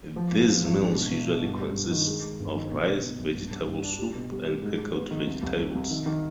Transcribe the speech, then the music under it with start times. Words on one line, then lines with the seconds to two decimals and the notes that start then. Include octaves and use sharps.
These meals usually consist of rice, vegetable soup and pickled vegetables.
0.16 F3
0.32 G#1
0.47 F3
0.64 G#1
0.79 D4
0.95 B2
1.11 B2
1.28 B2
1.43 G2
1.60 G3
1.75 G2
1.91 D#3
2.07 G#3
2.23 G#3
2.40 G1
2.55 D#3
2.72 B2
2.87 B2
3.03 B2
3.18 B1
3.35 G2
3.51 G2
3.67 G2
3.83 D4
3.99 G3
4.15 B2
4.31 G3
4.46 G3
4.62 G#2
4.79 G#2
4.94 B3
5.11 D#3
5.27 C2
5.43 C2
5.59 C2
5.75 C2
5.91 D#3
6.06 D#3